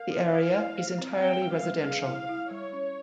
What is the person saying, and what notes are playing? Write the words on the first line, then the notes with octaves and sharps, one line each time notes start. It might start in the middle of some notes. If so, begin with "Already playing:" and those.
The area is entirely residential.
Already playing: A#4 F5
E4
E4
E4
C5
C4
C4 G5
G3
F5
G3
G#4
E4
E4
G3 C#5
C#4